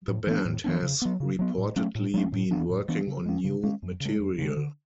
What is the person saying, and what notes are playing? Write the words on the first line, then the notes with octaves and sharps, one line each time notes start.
The band has reportedly been working on new material.
A2
E3 B3 D4
A2
E3 B3 D4
C#3
F#3 B3
C#3
F#3 B3
A2
F#3 A3 C#4
A2
F#3 A3 C#4
A2
E3 B3 D4
A2
E3 B3 D4
C#3
G#3 C#4
C#3
G#3 C#4
F#2
C#3 G#3
F#2
C#3 G#3
D3